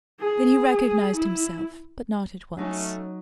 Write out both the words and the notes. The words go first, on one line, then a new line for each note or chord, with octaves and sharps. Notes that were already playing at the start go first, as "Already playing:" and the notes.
Then he recognized himself, but not at once.
G#4
E4
F#3 A3 C#4 D#4 F#4